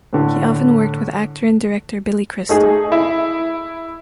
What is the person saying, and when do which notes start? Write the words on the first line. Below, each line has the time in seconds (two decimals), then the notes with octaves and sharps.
He often worked with actor and director Billy Crystal.
0.13 A2 D3
2.49 A3 D#4 G#4
2.92 E4